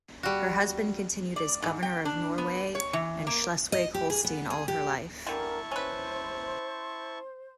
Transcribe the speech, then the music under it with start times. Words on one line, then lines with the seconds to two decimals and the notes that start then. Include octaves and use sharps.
Her husband continued as Governor of Norway and Schleswig Holstein all her life.
0.23 G3 F#4
1.36 D5
1.62 G#2
1.83 G5
2.05 D4
2.38 B3
2.75 C#5
2.93 E3
3.27 A#3
3.72 D#5
3.94 G4
4.10 G#4
4.25 B3
4.50 G#4
4.68 G4
5.27 D3 E3 G3 E4 A#4 A5 C#6
5.71 C#4 B4 C5